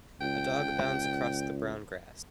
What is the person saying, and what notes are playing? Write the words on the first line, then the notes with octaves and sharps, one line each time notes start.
A dog bounds across the brown grass.
C#2 G5